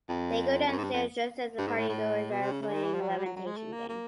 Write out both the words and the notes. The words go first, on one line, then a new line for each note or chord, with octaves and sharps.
They go downstairs just as the party-goers are playing a levitation game.
F2
F2
F#2
G#2
G2
F2
G2
G#2
A2
A2
B2
C3
C#3
C#3
D3
D#3
E3
F3
F#3
F3
G3
F#3
F#3
G#3
A3
A#3
A#3